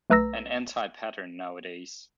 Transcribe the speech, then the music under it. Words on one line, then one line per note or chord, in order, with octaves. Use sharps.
An anti-pattern nowadays.
B1 A3 B4 A#5 E6 A#6